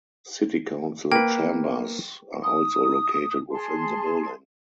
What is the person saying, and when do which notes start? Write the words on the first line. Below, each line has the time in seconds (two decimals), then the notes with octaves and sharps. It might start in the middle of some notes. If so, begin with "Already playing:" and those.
City Council chambers are also located within the building.
1.12 A#3 B4 G5
2.43 D#6
3.52 G#4 A5 C6